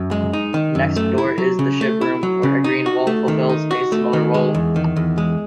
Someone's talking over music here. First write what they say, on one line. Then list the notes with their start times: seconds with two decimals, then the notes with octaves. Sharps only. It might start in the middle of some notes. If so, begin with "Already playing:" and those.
Next door is the ship room where a green wall fulfills a similar role.
Already playing: F#2
0.11 G#3
0.33 D#4
0.54 D#3
0.75 F#2
0.97 A3
1.18 E4
1.38 F#3
1.59 C#3
1.81 A3
2.01 E4
2.23 F#3
2.43 C#3
2.64 D#4
2.86 F#4
3.07 A3
3.28 D#3
3.49 D#4
3.71 F#4
3.92 A3
4.13 D#3
4.34 G#3
4.55 E2
4.76 D#3
4.96 E2
5.18 G#3